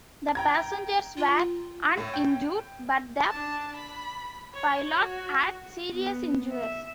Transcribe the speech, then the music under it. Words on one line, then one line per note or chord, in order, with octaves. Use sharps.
The passengers were uninjured but the pilot had serious injuries.
G5 A#5 G#6
F4
A2
G5
D4 A5
B5
C#5
F#4
B3
E5